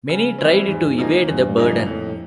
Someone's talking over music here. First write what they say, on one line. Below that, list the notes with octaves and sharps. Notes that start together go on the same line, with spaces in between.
Many tried to evade the burden.
C#3
E3 G3 C4
E2 G#2
C#3 F3 A#3 D#4
E2 G2
C#3 F3 A#3 D#4
F2 A2